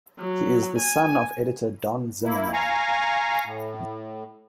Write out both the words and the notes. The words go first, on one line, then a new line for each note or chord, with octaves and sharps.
He is the son of editor Don Zimmerman.
F#3
G#5
A#3 E4
F5 G#5 A#5 C#6
A2